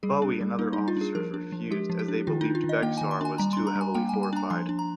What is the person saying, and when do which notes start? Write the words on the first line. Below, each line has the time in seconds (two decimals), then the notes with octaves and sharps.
Bowie and other officers refused, as they believed Bexar was too heavily fortified.
0.03 G3 G#4
0.22 D4
0.41 G3
0.59 A#3 D#4
0.73 D#4
0.78 G3
0.88 F4
0.97 D4 G#4
1.15 F3 A#4
1.34 D4
1.52 F3
1.71 G#3 G4
1.90 F3
1.99 G4
2.08 D4
2.27 D#3 F4
2.41 D4 D#4
2.55 F4
2.64 D#3
2.69 D#5
2.82 A#3 G5
2.98 D#3 G#5
3.11 C6
3.21 D4 G#5
3.38 G3 A#5
3.53 D4 C6
3.67 A#5
3.76 G3
3.81 G#5
3.94 A#3 G5
4.09 G3 G#5
4.23 G#5
4.33 D4 A#5
4.50 F3 C6
4.69 D4
4.79 A#5